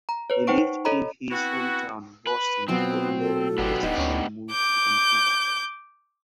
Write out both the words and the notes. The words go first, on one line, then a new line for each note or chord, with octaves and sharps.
They lived in his hometown, Boston, for eleven years and then moved to Vancouver.
A#5
B4 C#5
D#4 C5 F#5 G5 C#6 D7
A4 C#5 D#5 A#5 B5
B3 C4 E4 F#4
B4
B2 F#3 B3 C4 F4
A4
G1 B3 D4 G4
D1 D#4 F#5
D2 C#4
D6 G6